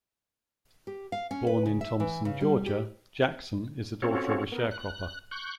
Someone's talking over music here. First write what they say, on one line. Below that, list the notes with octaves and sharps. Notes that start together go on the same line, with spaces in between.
Born in Thomson, Georgia, Jackson is the daughter of a sharecropper.
G4
F5
C#4
B4
C#3
E5
E3
C#3
G3
G4
C4 C#4 F4 F#4 A4 C#5
B3 A#4
F#6
C#6 F#6 G6